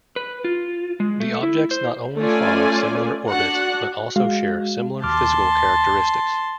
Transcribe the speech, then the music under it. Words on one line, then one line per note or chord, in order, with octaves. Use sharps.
The objects not only follow similar orbits but also share similar physical characteristics.
B4
F4
G#3
A3
E4
C5
A3 C#4 F4 D5 G#5
D4 F#4 F#5
G#3 F#4 F5
D#2 A5 C6 D6 F6